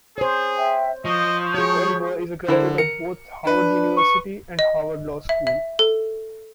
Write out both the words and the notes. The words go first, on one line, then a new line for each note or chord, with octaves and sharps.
Culver is a graduate of both Harvard University and Harvard Law School.
G#4 C5 C#5
E5 G5
F3 D#5 C#6 D#6 G6
F#4 G#4 C#5
D3 E4 A#4 C5
A#4 C#7
D4 B4
C#6
D#5
E5
E5
A4